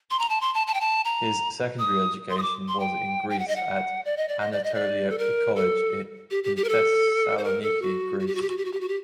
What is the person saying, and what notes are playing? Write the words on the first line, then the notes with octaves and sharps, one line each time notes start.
His secondary education was in Greece at Anatolia College in Thessaloniki, Greece.
C6
A#5
A5
C6
A5
A5
G5
A5
A#5
D#6
C6
D#6
D6
C6
G5
G5
F#5
D#5
F#5
D5
D#5
D5
D#5
D5
D#5
D5
A4
A#4
A4
G4
G4
G4
A#4
A4
C5
A#4
A4
F#4
F#4
G4
F#4
G4
F#4
G4
F#4
G4
F#4
G4